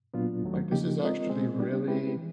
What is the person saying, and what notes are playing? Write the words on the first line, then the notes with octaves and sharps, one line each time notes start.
like, "This is actually really,
A#2 F#3 B3 D4 F4
D#2 D#3 F#3 A3
C#3 F3 A#3 D#4 G4
G#3 C4 F4 A#4 D#5
B2 G#3 C4
G3 B3 D4 G4
G#3 C4 E4 G4 B4
E3